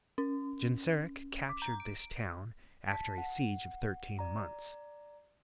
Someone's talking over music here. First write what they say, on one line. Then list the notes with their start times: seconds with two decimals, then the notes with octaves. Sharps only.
Genseric captured this town after a siege of thirteen months.
0.18 C#4
1.49 D6
1.62 A#5
1.80 D7
2.88 A5 B6
3.18 F#5
4.19 D5 A#5